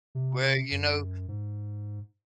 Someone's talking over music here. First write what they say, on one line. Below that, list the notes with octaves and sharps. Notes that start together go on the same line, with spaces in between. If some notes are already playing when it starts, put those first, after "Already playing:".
Well, you know,
C3
F#2
G#2